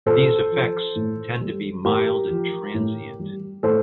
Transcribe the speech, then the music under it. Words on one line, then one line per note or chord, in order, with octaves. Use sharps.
These effects tend to be mild and transient.
A#2 A4 C5
F3
A2
G3
A2 G4 A#4
F3
A2
G3
A2 A4 C5